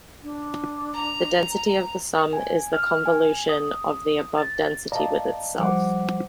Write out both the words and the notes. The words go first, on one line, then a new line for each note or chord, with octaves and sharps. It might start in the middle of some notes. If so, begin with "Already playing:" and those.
The density of the sum is the convolution of the above density with itself.
D4
A#5
G#5
F6
G#5
D#6
A6
D5 D#5 F5 A5 A#5
F3 G3 C5 F#5 D6